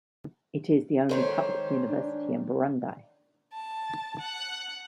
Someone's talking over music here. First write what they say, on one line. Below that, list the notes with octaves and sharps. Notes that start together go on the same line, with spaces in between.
It is the only public university in Burundi.
G#2 D#3 C#4 A4 C5
D4
A5
F#5